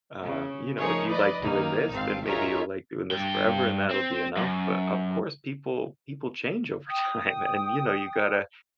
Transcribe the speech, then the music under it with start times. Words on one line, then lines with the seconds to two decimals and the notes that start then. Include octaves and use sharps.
uh, you know, if you like doing this, then maybe you'll like doing this forever, and that'll be enough," but of course, people people change over time, and, you know, you gotta
0.23 C#3
0.78 F3 A3 D#4 G#4 A#4 C#5
1.08 B4 D5 D#5
1.43 D#3 A#3 D#4
1.93 G#1 C4 F5 A5
2.25 D#4 F4 G#4 A#4 C#5 E5
3.11 G2 G5
3.91 C4
4.37 F#2
6.88 G5 D#6